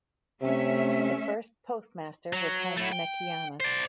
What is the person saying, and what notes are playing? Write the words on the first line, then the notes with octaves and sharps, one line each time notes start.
The first postmaster was Homer Mekiana.
C3 A3 C#4 E5
F#3
A3 E4
G5
C5 D5